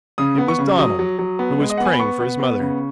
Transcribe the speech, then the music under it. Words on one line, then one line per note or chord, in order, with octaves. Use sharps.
It was Donald who was praying for his mother.
C#3 D#6
B3
C#6
C#3
F#3 D#6
F#3
F#3
B3
G#3
D#5
B3 F#5
G#5
B5
B3 C#6
B3
B3
C#3